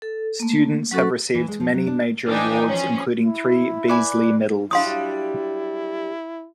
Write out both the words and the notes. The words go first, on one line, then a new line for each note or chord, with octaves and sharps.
Students have received many major awards including three Beazley Medals.
A4
A3 A#3
F#3 C#4 F#4 A4 C#6
E3
G#3
F3
F#3
D4
E3 D4 D#4 G5 G#5
F3 C#4 G#4
E4
B4 D5 G#5
F#3 G3 D4 E4 F5 C6 D#6